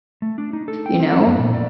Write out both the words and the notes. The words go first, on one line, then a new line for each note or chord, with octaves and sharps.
you know?
A3
D4
D#4
A4
G5
C4
A4
F#2
A#2
D5